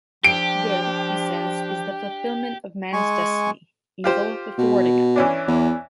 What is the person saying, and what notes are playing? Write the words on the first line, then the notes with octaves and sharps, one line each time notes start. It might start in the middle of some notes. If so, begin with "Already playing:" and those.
Good, he says, is the fulfilment of man's destiny, evil the thwarting of it.
F3 D4 G4 G5 D7
G#3 G#5 C#6
F4 G4 C5
B2
E3 C#4 D4
E2